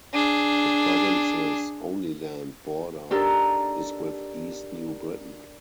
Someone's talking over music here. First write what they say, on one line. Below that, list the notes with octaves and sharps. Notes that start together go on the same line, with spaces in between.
The province's only land border is with East New Britain.
D4 G#4
D4 D#4 G4 A4 A#4